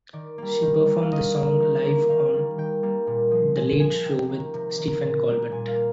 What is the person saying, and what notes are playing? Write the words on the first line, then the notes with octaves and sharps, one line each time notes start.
She performed the song live on "The Late Show with Stephen Colbert".
D#3 D5
G3 A#3
D#3
G3 A#3
F5
D#3 D#5
A#3
D#3
A#3
D#3 F5
G3 A#3
D#3 G5
G3 A#3
A#2
F3 G#3
A#2 G#5
F3 G#3 G#5
C3 G5
D#3 A#3
C3
D#3 A#3
A#2
G3 A#3
A#2 G#5
F5
A#3